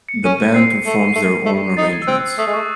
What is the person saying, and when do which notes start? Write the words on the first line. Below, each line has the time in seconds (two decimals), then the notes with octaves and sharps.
The band performs their own arrangements.
0.09 C#7
0.24 C#4 D#7
0.39 D#7
0.55 C4 C7
0.86 A3
1.15 A3
1.46 A3
1.77 D#4 A6
1.93 G#6
2.02 E6
2.07 C4 F#6
2.38 A3 D#6
2.47 G#3
2.53 A3 C#6